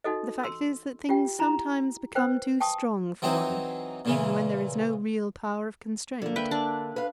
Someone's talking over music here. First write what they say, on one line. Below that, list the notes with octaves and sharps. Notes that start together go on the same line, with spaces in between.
The fact is that things sometimes become too strong for one, even when there is no real power of constraint.
D#4 F#4 A4 D#5
C6 E6
F4 G4 G5
E4 A#5 B5
B4 C5 G5
G5 A5 C#6 D#6
E3 F#3 C4 D#4
A#2 C#3 E3
D3 A#3
B4 E5 G5
D4
B4 F5